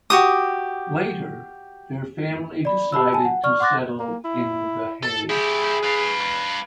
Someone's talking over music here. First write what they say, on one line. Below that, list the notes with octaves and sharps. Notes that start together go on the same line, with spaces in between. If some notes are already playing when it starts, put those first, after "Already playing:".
Later, their family decided to settle in The Hague.
F#4 G4 D#6
D5 B5
G4 A5 B5 E6
G#5 A5
F#5
D5 C#6 F6
F#5 C6 D6 F#6 A6 A#6
A#3
E4
A4
E4 G4 G#4
B4 F5